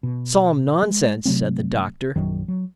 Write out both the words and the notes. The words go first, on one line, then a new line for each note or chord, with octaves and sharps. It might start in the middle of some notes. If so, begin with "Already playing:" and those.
"Solemn nonsense," said the doctor.
B2
G#3
C3 F#3 A3 C4
A#1 F#2 D#3 F#3
F#3